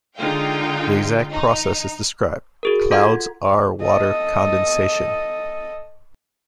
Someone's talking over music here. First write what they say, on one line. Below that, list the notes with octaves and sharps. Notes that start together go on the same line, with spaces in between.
The exact process is described: Clouds are water condensation.
D3 G#3 D#4 F4 F5 G5
D#4
F#4 G#4 A#4
F4 A4 F#5 C6 G#6
A4 D#5